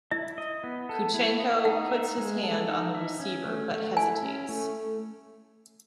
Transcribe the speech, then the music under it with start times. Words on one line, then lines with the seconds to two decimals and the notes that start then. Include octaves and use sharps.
Kuchenko puts his hand on the receiver but hesitates.
0.11 E4 E5
0.38 D#5
0.64 B3
0.89 A4
1.14 E4
1.39 D#5
1.65 D#4 F#5
1.91 E5
2.18 G#3
2.43 A4
2.69 D#4
2.95 E5
3.20 C#4
3.45 A3
3.72 A3
3.96 E4 G#5
4.23 C#4
4.49 A3